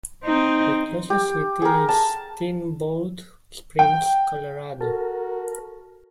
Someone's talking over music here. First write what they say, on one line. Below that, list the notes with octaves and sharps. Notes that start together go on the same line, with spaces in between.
The closest city is Steamboat Springs, Colorado.
C4 D#4
G4
G#4 A#4
A5
G5
F#4 A4 A#4 A5